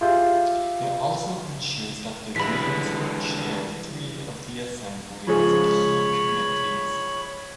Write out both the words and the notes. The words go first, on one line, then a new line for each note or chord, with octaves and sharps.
It also ensures that the Greens will Chair three of the Assembly's key committees.
F4 G4 G#4 E5 F5 G6
D3 E3 G3 G#3 E4 B5 B6
G#2 C#3 F3 C#5 B5